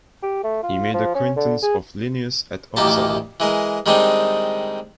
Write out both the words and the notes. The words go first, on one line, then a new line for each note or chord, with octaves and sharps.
He made the acquaintance of Linnaeus at Uppsala.
G4
A3
F4
F3
C#4
D3
G#4
A1 D2 D#3 A#3 G4 A5
E3 G#3 A#4
D#3 G3 G#3 C4 D4 D#4